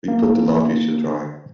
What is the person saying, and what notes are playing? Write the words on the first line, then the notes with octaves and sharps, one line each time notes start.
We put the laundry to dry.
A#3